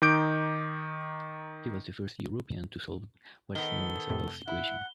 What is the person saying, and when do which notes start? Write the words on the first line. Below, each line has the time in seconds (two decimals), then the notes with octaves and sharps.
He was the first European to solve what is now known as Pell's equation.
0.02 D#3 D#4 D6 G6 D7
3.55 D#3 B3 A4 G7
4.10 F2 A2 C3
4.48 E4 F#5